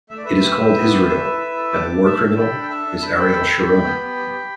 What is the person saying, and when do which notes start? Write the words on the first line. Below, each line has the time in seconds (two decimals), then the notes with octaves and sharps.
It is called Israel, and the war criminal is Ariel Sharon.
0.10 A3 E5
0.17 D5
0.24 A3 B4 E5
0.42 G4
0.59 G4
0.75 B3
0.91 G4
1.08 A4
1.24 E4
1.40 E4
1.56 A4
1.72 G4 A5 D6
1.89 A3
2.05 A3 E5 A5
2.21 G4
2.37 A4 G5 B5
2.54 D4
2.62 G5
2.70 A4 E5 A5
2.86 D4
3.02 D4 B5
3.11 A5
3.19 A4 G5 B5
3.35 A4
3.51 A4
3.67 G4
3.83 B3
4.00 B3
4.16 G4
4.32 G4